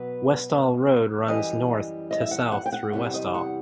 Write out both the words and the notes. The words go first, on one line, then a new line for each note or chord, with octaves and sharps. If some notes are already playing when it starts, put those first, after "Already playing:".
Westall Road runs north to south through Westall.
Already playing: B2 F#3 B3 B4
F#2 E3 G3 D#5
D#5
E5
F#5
F#5
G5
F#5
E2 C3 E3 G3 F#5
D#5
F#5